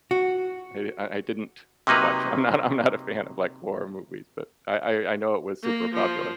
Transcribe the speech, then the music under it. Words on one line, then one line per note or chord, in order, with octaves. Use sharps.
Maybe I I didn't watch I'm not I'm not a fan of, like, horror movies, but I I I know it was super popular.
F#4
C3 F#3 A#3 D#4 B4
A#3
F3